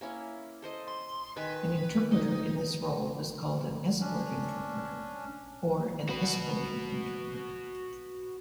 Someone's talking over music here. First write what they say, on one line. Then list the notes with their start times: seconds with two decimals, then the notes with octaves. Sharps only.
An interpreter in this role is called an "escort interpreter" or an "escorting interpreter".
0.01 A#3 C#4 E4
0.62 A4 C5 D#5
0.88 C6
1.37 D#3 B4 G#5
2.12 D#4 D#5
4.01 C#4 D4
6.09 F#4 B4